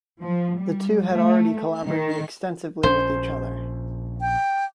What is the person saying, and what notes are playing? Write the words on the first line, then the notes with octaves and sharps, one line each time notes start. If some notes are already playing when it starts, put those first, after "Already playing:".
The two had already collaborated extensively with each other.
F3
G3
A3
D#3
A#1 C#4 C5
G5